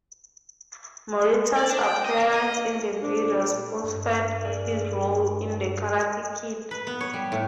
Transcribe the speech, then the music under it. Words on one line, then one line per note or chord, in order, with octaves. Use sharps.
Morita's appearance in the video spoofed his role in "The Karate Kid".
D5
D4
G5
D#5
A#3
D#5
A#2 C4 D4
G2
G#4 A#4 D5
B4
B3
C#5
G3
A2